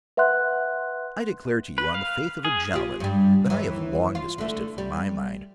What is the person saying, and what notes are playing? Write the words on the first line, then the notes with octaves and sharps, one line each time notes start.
I declare to you, on the faith of a gentleman, that I have long dismissed it from my mind.
B4 E5 F#5 C6 F#6
B4
F5
G#4
F4 G4
G2 G3
D#2 E3
F4
D3 A3
G3